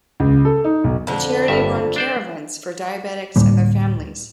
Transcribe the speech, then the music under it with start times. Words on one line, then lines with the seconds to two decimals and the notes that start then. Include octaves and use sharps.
The charity run Care Events for diabetics and their families.
0.20 C#2
0.45 A4
0.64 D#4
0.84 B1
1.07 F2 D3
1.48 G1 G2 E5
1.96 D4 C5 D5
3.36 D2 A2 G3 A#3